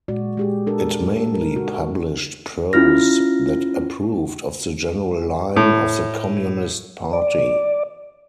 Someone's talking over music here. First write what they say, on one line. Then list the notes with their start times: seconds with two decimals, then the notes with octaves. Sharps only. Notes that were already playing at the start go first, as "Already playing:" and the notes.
It mainly published prose that approved of the general line of the Communist Party.
0.08 A#2 G#3 F#4 D5
0.37 G#3 G4 G#4
0.67 D4 A4 A#4
1.10 A4
1.34 A#4
1.56 F#4
2.73 C#4 E4 F4 F6 A#6
5.56 A2
7.13 D5